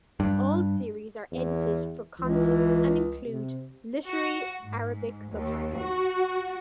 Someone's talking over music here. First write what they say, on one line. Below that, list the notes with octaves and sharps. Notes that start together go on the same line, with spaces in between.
All series are edited for content and include Literary Arabic subtitles.
G2
E2
C#2 E3
C3
F#4
G#2
D#2
F#4